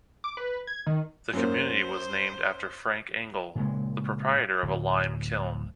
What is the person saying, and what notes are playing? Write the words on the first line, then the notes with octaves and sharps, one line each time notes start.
The community was named after Frank Engle, the proprietor of a lime kiln.
D6
B4
G#6
D#3
F#2 A#3 C5
A#2 C#3 G#3
D1